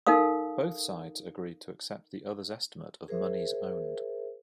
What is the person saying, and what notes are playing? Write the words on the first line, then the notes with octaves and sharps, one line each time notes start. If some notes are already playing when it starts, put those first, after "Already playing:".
Both sides agreed to accept the other's estimate of monies owned.
D#4 A4 A#4 F5 D#6
G#4 A#4 C5 E5